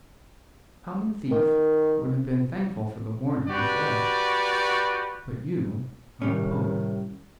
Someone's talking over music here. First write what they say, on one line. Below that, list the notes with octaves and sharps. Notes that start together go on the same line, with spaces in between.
A common thief would have been thankful for the warning and fled; but you are a poet.
D#3
F#4 G4 B4 D5
A2 C3 D#3 G3 C#4